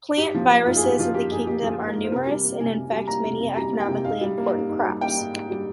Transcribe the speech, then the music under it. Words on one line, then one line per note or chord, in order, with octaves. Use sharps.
Plant viruses in the kingdom are numerous and infect many economically important crops.
G#2 G4
F3
A#3
G#2 F4
G#4
G#2 G4
F3 F4
A#3 G4
G#2 G#4
G#2 G4
F3 G#4
A#3
A#4
G#2
C5
C3 A#4
G3
A#3
C3 G#5
C3
G3
A#3 A#5
C3
C3
G3 A#5
A#3
G5
C3
G#2 F5
G3
A#3
G#2
G#2
G3
A#3 G5
G#2
G#2
G3